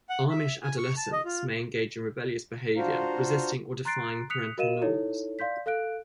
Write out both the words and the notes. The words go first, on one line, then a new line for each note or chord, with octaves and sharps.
Amish adolescents may engage in rebellious behavior, resisting or defying parental norms.
F#5
E5
G#5
C#6
A5
D#5
F4
D4 F4 F#4 C5 F5 A#5
A#5 C6 F#6 A6 C7 D7
D#6 F#6 B6 C#7 F7
F#4 A#4 D#5 F5 D#7 E7
D#4 E4 A4 C#5
D5 F5 C6 G6 B6
A4 F5 F#6 D7